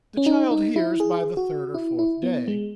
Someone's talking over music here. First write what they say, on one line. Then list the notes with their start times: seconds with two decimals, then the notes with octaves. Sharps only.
The child hears by the third or fourth day.
0.17 C#4
0.26 D#4
0.51 D#4
0.76 E4
1.00 G#4
1.37 F#4
1.74 E4
1.99 E4
2.23 B3
2.48 G#3